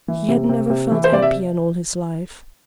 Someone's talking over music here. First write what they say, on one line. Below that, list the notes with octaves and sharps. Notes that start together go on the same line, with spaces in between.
He had never felt happier in all his life.
E3
C3
C3
C3
E3
C5
C3 D5
E5